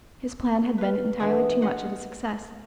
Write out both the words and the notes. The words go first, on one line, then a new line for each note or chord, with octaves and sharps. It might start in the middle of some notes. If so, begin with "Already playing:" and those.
His plan had been entirely too much of a success.
B4 F5
B2 E3 B3 D4 E4 G#4
D#5 F#5 B5 C6